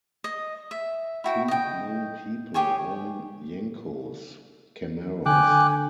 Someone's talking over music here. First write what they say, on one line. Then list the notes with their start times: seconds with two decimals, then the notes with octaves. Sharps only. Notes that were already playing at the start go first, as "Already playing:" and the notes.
Two known people own Yenko's Camaros.
0.24 D#5
0.71 E5
1.24 E4 F#4 G5
1.48 D#5 G5
2.54 G4 G#4 C#5 G#5
5.26 D3 G5 G#5 D6 F#6